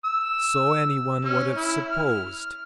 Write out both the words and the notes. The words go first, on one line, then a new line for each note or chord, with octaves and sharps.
So any one would have supposed.
E6
C#4
E4
F6